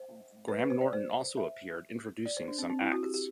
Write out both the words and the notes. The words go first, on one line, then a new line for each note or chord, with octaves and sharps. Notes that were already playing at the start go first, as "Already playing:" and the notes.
Graham Norton also appeared introducing some acts.
Already playing: C5
B4
B4
C5
D5
C5
E5
D5
C5
D4
C4
C4
E4
F#4
G4
G4